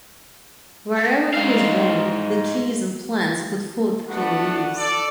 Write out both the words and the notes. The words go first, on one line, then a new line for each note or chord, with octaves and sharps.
Wherever he is born, the trees and plants put forth green leaves.
G#2 F5
A3 B3 D4 F#4 F#5
A4 D5